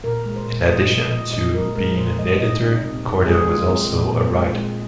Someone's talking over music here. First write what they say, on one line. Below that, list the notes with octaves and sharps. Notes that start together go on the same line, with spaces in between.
In addition to being an editor, Korda was also a writer.
A#2 A#4
G#3
C5
A#2
G#3 D#5
A#2 D#5
F3 D#5
A#2 D#5
G#3 A#4
G#3 A#4
A#2 C5
G#3 D#5
A#2 D#5
C3 D#4
C3
C4
C3
G#3 G#4
G#3 F4
G#3 C4
A#2
A#2
C4
G#3
G#3